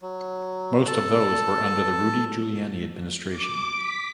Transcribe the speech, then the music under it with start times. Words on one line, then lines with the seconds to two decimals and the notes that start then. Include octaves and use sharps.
Most of those were under the Rudy Giuliani administration.
0.02 F#3
0.87 A4 A5
3.29 D6
3.75 B6